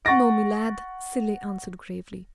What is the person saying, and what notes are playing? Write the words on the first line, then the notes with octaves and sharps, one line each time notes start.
"No, me lad," Cilley answered gravely.
F#5 C#6 A6 A#6 D7